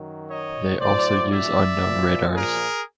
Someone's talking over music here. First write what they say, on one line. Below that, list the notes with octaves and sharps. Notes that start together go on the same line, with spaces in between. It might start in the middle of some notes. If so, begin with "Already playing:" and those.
They also use unknown radars.
Already playing: F#2 D#3 F#3
C#5 D#5
A2 F#3 C5 D5
D5 E5
A#2 F3
G#4 A#4